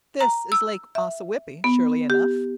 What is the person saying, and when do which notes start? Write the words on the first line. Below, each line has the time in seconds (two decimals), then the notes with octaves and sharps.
This is Lake Ossawippi surely enough.
0.21 A#5
0.52 E6
0.95 E5
1.64 B3
2.10 G4